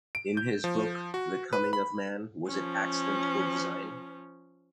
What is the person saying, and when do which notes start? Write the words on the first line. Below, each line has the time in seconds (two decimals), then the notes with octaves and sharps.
In his book The Coming of Man: Was it Accident or Design?
0.15 D7
0.37 G6
0.64 F3
1.14 F#4
1.53 B4
1.73 B5
2.47 F3 C#4